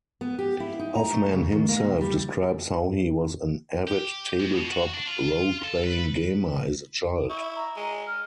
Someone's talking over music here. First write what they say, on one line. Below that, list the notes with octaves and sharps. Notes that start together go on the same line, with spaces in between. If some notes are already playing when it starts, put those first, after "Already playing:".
Hoffman himself describes how he was an avid tabletop roleplaying gamer as a child.
B3
G4
E4
D#4
A#5
A3
C#3
D#3
A#3
C3
G3
G4
F2
B2
F#4
D4
F4
A4
B4
E4 C#6
A#5
G#3
F6